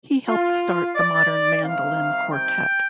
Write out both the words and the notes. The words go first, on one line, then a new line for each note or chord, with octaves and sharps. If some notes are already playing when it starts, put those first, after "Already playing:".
He helped start the Modern Mandolin Quartet.
F4
D5
C3 D#3 G3 C4 F5
G5